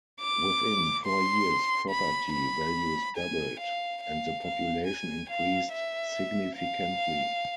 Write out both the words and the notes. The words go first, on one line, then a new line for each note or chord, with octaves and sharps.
Within four years property values doubled, and the population increased significantly.
D6
C6
B5
B5
G#5
F5
F5
F5
G#5
F5
E5
F5